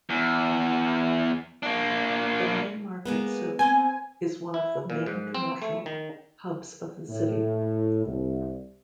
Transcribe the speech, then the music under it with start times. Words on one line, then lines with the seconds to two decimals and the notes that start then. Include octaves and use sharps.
The main market "soukh" is one of the main commercial hubs of the city.
0.10 E2
1.63 A#3 D4
3.05 G#3 A#3 B3
3.59 C4 C5 G#5
4.54 E4
4.90 A#2
5.06 G#2
5.35 C4
5.62 A3
5.86 D#3
7.09 A2
8.06 C2